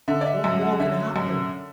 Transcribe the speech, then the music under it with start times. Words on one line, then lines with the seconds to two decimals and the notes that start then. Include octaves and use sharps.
What more can happen?
0.08 D3 E5
0.21 D5
0.26 E5
0.43 F#2 E5
0.61 F#5
0.80 D3 E5
1.16 F#2